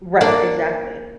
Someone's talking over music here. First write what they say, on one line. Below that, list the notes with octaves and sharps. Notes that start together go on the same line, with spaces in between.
Right, exactly.
A#3 D4 D5